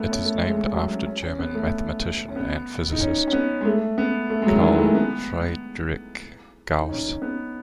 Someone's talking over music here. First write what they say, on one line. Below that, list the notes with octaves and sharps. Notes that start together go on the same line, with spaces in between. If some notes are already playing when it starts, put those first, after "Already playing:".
It is named after German mathematician and physicist Carl Friedrich Gauss.
Already playing: A3 B3
C#4
A3
G#3
G#3
F#3
C#4
C#4
C#4
B3
A3
C#4
B3
D#4
C#4
C#4
B3
G#3
A3
B3
A3
G#3
F#3
D#3
E3
G#3
A3
B3
D#4
C#4
B3